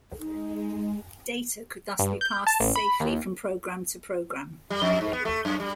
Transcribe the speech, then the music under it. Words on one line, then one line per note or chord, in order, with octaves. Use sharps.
Data could thus be passed safely from program to program.
G#3 D#4
G2
G6
A5
A1
B5
D#2
G3
F2
G#2
B3
A3
F#2
G3